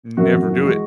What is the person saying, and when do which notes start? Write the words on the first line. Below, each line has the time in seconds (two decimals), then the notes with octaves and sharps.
never do it.
0.17 F#2 F#4
0.34 F#2
0.49 E3
0.64 G#3